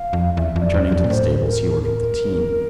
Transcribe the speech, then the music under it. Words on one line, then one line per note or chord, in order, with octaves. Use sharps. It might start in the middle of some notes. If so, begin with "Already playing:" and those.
Returning to the stables, he ordered the team.
Already playing: F5
F2
E2 E5
F2
D5
E2
D5
F2
A#2
A2 C5
A#4
A#4